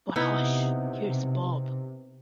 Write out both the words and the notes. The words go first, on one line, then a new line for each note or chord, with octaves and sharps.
But, hush, here’s Bob.
C3 B3 D#4 E4